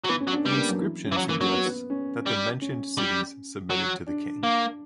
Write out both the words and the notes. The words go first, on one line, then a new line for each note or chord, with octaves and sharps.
The inscription suggests that the mentioned cities submitted to the king.
F#3
E3 B3
C#4
F#3
D4
G3 B3
A#3
F#3
E3
C#4
E3
F#3
E3 A#3
F#3 C#4
B3
B3
C#4
G3
C#4
G3
F#3
D4
A#3